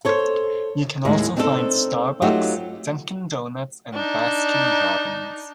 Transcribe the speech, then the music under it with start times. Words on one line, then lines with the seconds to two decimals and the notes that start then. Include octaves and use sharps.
You can also find Starbucks, Dunkin' Donuts, and Baskin Robbins.
0.05 A4 C5 C#5
1.05 D#2 A2 G#3
1.37 C4 D4 D#4 F4 A4 C5
2.22 F#3 A3 D#4 F4 G4
3.93 D4 D#4